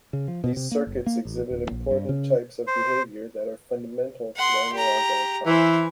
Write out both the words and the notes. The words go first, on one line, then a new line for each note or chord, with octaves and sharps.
These circuits exhibit important types of behaviour that are fundamental to analogue electronics.
C#3
F3
B2
C3
A#3
F#1
A#3
A1
D1
A#1
G2
C#3
C5
F#5 C6
G4 A#5
E3 E4 C5